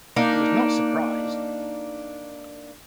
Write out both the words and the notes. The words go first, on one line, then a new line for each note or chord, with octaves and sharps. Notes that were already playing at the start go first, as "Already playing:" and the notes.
He was not surprised.
A#3 D4 D#4